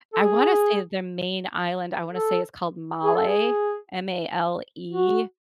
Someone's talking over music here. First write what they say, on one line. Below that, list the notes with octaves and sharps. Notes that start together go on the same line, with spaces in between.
I wanna say their main island, I wanna say is called Malé, M-A-L-E,
A4
G#4
A4
G#4
A4
G#4
F#4